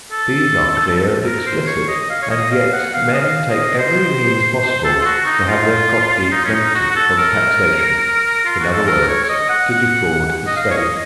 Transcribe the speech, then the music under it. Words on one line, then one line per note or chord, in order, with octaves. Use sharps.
These are clear and explicit, and yet men take every means possible to have their property exempted from taxation--in other words, to defraud the State.
A4
A#4
C5
C#5
D#5
F5
C#5
D#5
F5
F#5
F5
D#5
F5
D#5
C5
C5
A4
F4
F#4
D#4
F4
D#4
C#4
D#4
F#4
F#4
A4
A#4
F4
F#4
A4
A#4
C#5
C#5
D#5
F#5
F#5
D#5
F5
C#5
D#5